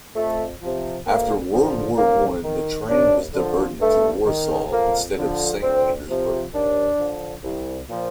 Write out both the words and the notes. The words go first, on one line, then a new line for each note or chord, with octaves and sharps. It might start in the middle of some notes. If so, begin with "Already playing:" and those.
After World War One the train was diverted to Warsaw instead to Saint Petersburg.
F2 A3
C3 F3
D2 A#3
D3 F3
D#2 A#3
D#3
D#2 D4
D3 F3
G2 A3
D#3
F2 A#3
D3 F3
D2 C4
C3 F3
D#2 D4
D3 F3
C2
A#2 F3